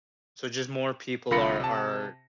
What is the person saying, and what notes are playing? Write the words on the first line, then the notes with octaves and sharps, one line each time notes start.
So just more people are are
C2 D3 F4 B5 A#6 C#7
C3 A5